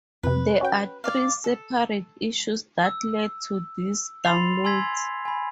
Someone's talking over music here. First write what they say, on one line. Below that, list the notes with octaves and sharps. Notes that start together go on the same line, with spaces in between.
There are three separate issues that led to these downloads.
F2 C3 B4
C#4 F#4 G5
D5 F5
A4
E6
B5 C6 A6 C7 F7
G#5 C6 E6 G#6 B6
G#5 B5